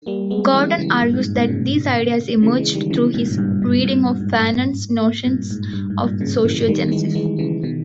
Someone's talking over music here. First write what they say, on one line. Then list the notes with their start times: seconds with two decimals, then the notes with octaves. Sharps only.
Gordon argues that these ideas emerged through his reading of Fanon's notions of sociogenesis.
0.06 G3 A#3
0.31 G#3 B3
0.54 E3 G#3
0.78 C#3 E3
1.01 G2 A#2
1.13 G#2
1.36 G#2 B2
1.49 A#2 C#3
2.43 C#3 E3
2.59 E3 G#3
2.74 D#3 G3
2.90 C#3 E3
3.14 G#2 B2
3.26 G2 A#2
3.37 G2 A#2
3.62 G#2 B2
3.84 G2 A#2
4.08 G2
4.21 G#2
5.26 G2 A#2
5.51 G#2
5.73 G2
5.90 G#2
6.05 G2 A#2
6.21 A#2 C#3
6.45 C#3 E3
6.69 D#3 G3
6.91 E3 G#3
7.15 E3 G#3
7.39 C#3 E3
7.63 B2 D#3